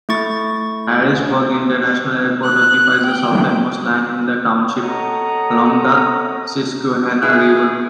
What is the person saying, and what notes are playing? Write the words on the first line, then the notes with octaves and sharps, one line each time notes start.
Harrisburg International Airport occupies the southernmost land in the township, along the Susquehanna River.
A3 E4 C#6 A6
F#6
G5
A4 C#5 D#5 F#5 A#5
E4 G#4